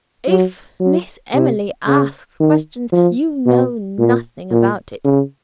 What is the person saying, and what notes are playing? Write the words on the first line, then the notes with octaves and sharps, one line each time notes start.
'If Miss Emily asks questions--you know nothing about it.
F#3
F#3
C3
C#3
D#3
F3
B2
A#2
A#2
C#3